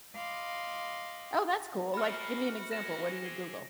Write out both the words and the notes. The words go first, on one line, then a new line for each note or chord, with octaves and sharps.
Oh, that's cool, like, give me an example. What do you Google?
D#5 F5 B5 C6 D6
F3 G#3 A#3 F#4 F#5 B5 F6
F#2 C#3 A#6 E7
C4 G4 G#4